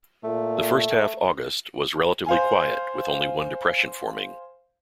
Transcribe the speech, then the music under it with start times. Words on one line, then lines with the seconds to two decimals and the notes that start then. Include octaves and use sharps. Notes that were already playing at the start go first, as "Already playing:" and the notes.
The first half August was relatively quiet, with only one depression forming.
0.24 A#2 A3
2.26 C5 F5 G#5